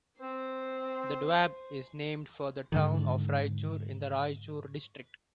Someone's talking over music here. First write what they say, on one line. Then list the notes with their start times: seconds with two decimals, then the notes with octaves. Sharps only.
The doab is named for the town of Raichur in the Raichur District.
0.21 C4 C5
2.72 G#2 D3 D#3